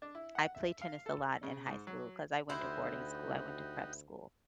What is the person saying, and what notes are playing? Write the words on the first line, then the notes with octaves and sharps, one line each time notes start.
I played tennis a lot in high school 'cause I went to boarding school, I went to prep school,
D4
E4
F#5
E5
F5
A4
C#3
G#2
F#3
D2 D#4 E4 F#4 G4 C5